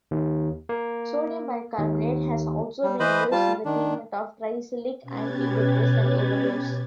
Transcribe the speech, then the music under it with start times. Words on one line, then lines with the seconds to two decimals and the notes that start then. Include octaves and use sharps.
Sodium bicarbonate has also been used in the treatment of tricyclic antidepressant overdose.
0.11 D#2
0.69 A#3
1.78 D#2
2.84 G3
3.00 E3 B4 C5 D#5 B5
3.32 G3 F4 A5
3.65 D#3 D4
5.02 B2 C#4 G4 B4 G#6 A6